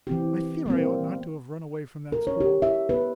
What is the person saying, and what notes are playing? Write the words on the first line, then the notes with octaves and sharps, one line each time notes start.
I fear I ought not to have run away from that school!
E3 C4 G4
G3 A#3 C4
A#4
C#5
G4
E5
B4